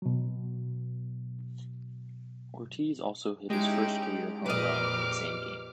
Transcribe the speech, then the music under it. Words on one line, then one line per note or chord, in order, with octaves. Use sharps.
Ortiz also hit his first career home run in the same game.
B2 F#3
G#3 C#4 D#4 E4 G4 D7
F2 A#2 G4 B4 D#5 D6 F6